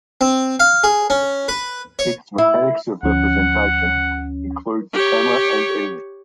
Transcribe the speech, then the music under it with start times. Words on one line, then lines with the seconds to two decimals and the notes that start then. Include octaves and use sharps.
Its mechanics of representation include the camera and editing.
0.21 C4
0.60 F5
0.84 G#4
1.10 C#4
1.48 B4
1.99 C#5
2.38 E4
3.03 D2 F3 C#4 F#5
4.93 G4 C#5